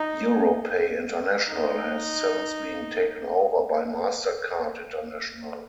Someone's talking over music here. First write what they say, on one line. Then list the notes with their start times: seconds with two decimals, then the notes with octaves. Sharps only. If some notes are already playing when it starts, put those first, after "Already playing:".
Europay International has since been taken over by MasterCard International.
Already playing: D#4
1.48 D#4